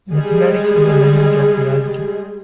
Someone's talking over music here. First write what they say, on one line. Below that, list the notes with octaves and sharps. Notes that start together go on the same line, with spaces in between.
Mathematics is the language of reality.
G3 G#3 G#4